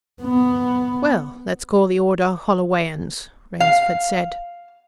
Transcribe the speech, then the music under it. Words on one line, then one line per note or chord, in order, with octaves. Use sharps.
"Well, let's call the order Hollowayans," Rainsford said.
B3
F5